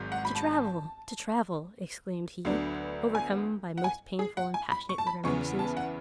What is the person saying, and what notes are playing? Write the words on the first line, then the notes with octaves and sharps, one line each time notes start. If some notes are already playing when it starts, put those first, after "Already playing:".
"To travel! to travel!" exclaimed he, overcome by most painful and passionate remembrances.
Already playing: G#1 G#2 F#3
F#5
B5
A5
D2 D3 F#3 B3 D4
G#5
F#5
G#5
G#4
F#5
G#5
B5
C#6
A5
B5
E2 C#3 E3 B3 C#6
A5
F#5